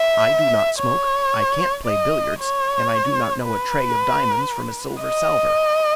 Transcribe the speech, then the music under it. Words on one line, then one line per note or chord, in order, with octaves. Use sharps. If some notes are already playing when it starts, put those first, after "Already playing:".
I do not smoke, I can't play billiards, and I do not know a trey of diamonds from a silver salver.
Already playing: E5
C#5
D#5
C#5
B4
D#5